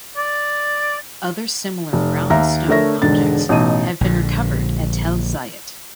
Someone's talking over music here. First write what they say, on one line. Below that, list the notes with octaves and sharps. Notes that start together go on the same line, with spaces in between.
Other similar ground stone objects have been recovered at Tel Zayit.
D5
F1
D#2 E5 A#5 A#6
D3 A3 A#4 C#5 E5 A#6
E1 G#2 D3 D#3 A6
A1 B2 D#4 A5 D#7
A#1 D3